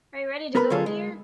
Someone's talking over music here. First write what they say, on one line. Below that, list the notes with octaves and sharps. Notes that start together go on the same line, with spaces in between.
Are you ready to go, dear?
B3 A#4 B4 B5
D3 F#3 F4 G#4 A4
G#3